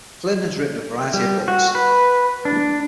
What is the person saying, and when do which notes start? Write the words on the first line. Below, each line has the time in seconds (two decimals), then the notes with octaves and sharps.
Flynn has written a variety of books.
1.14 G3
1.48 F#4
1.75 B4
2.45 D4